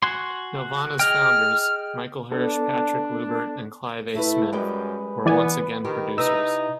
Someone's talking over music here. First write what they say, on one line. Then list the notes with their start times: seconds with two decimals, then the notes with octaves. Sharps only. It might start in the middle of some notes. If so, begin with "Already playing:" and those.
Nelvana's founders-Michael Hirsh, Patrick Loubert and Clive A. Smith-were once again producers.
0.03 F#4 G#5 C6
0.99 G#4 D#5 G5 F6
2.32 B3 D4 A4
4.15 A3 E4 B4
4.52 F#2 G3 G#3 B4 G5
5.26 E3 B3 D5 G#5
5.85 D#3 G4
6.18 C3 D#4 E4 B4 E6